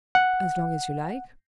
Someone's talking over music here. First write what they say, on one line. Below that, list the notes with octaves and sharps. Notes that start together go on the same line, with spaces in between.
"As long as you like."
F#5